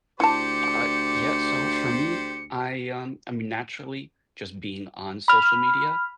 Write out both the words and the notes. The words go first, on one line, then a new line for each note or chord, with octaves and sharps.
Uh, yeah, so for me, I, um I mean, naturally, just being on social media,
D2 E4 G4 C5 D5 A5 C#7
B5 F6